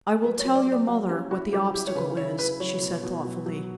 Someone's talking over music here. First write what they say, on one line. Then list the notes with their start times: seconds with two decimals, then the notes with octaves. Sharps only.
"I will tell your mother what the obstacle is," she said, thoughtfully.
0.24 F#3 B4
0.39 C#5
0.45 F#3
0.55 D5
0.66 F#3
0.72 D5
0.87 F#3 F#5
1.09 C#4 G4
1.31 E4 F#4
1.53 F#3 G4
1.74 E4 G4
1.87 C#5
1.95 C#3 B4
2.17 E4 C#5
2.39 E4 B4
2.60 F#3 C#5
2.82 B2
3.03 B2
3.25 F#3
3.46 F#3